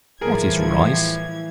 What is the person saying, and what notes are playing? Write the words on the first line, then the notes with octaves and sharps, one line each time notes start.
What is Rice?
A2 E3 F3 G3 G#4 A#4 G#6